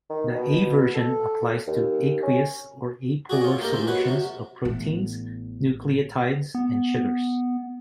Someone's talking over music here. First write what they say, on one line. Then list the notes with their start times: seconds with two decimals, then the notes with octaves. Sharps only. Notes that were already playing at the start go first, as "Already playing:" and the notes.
The A-version applies to aqueous or apolar solutions of proteins, nucleotides, and sugars.
0.10 D#3
0.34 B2
0.95 A4
1.67 D#2
2.23 C#4
3.29 F#4 G#4 D5 D#5
3.41 F4 C#5
3.60 A#3 D#4 G4 A4 A#4
3.73 D#3 G#3 C4 D#4
3.87 D#2 F#4 B4 C#5
4.05 F2 C3 F#3
4.65 A1 B3
6.55 B3